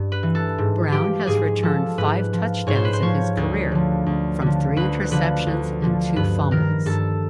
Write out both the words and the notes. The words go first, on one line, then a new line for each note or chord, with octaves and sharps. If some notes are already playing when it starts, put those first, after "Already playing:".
Brown has returned five touchdowns in his career, from three interceptions and two fumbles.
Already playing: G2
B4
E3
A4
G#2
F3 G4
G#2 G#4
F3 A4
G#2 B4
F3
G#2 C#5
C5
B4
C5
F3 C#5
D2
D3 F3
D2
D3 F3
D2 B4
D3 F3 B4
D2
D3 F3
G2 B4
D#3 A#4
G2 A4